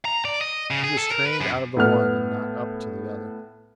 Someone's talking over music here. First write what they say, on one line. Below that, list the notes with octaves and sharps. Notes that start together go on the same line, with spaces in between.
He was trained out of the one and not up to the other.
A#5
D5
D#5
C#3
G#4
A4
A#4
B4
F#2
A2 B3 F6